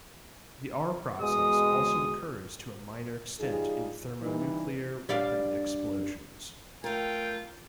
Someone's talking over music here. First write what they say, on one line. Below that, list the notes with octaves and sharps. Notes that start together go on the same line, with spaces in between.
The r-process also occurs to a minor extent in thermonuclear weapon explosions.
E2 B2 G#3 D#6
G3 D#4 F4 G#4
G2 E3 G3 D#4
G3 D4 F5
A3 F4 A#4 G5